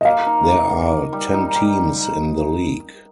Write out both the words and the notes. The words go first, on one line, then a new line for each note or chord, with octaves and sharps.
There are ten teams in the league.
D#5
A#3 F5
D#4
A#3
A#3
D#4
G3
D#4
G3